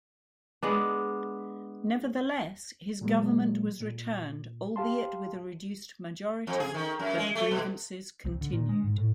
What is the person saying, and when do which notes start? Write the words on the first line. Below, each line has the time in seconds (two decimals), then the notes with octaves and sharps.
Nevertheless, his government was returned, albeit with a reduced majority but grievances continued.
0.63 G#3 B3 D4
3.01 A#2 F#3 G#3 A#3
3.80 A#2
4.76 G4 F5 A5 C6
6.47 F2
6.60 G#4
6.74 D#3
6.99 F#2
7.18 G#3
7.35 A3
7.51 B2
8.24 C2
8.41 D3
8.53 A#2
8.69 G#3
8.84 G#2
8.98 A2